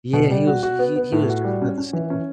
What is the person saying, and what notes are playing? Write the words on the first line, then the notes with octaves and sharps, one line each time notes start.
Yeah, he was he he was just not the same.
B2
G3
F#4
F#4
B3
B3
A2
F#4
G3
C#4
C#4
E3
C#4